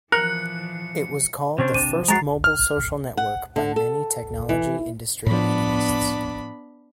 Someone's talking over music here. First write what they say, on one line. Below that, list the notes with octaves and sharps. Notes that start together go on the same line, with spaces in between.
It was called the first mobile social network by many technology industry analysts.
E3 F3 A#4 F#6 C#7
C3 C#4 D4 C5
C3 D4 D#7
F3
G#3 F#4 A#5 A6 C7
F6
F#5
D3
A4
E3
A2 F3 B3 D4 B5